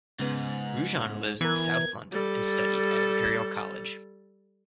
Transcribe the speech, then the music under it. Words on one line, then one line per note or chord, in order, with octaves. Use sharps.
Rajan lives in South London and studied at Imperial College.
G#2 C#3 B3
E3 B3 A#4 G#6
G3 A4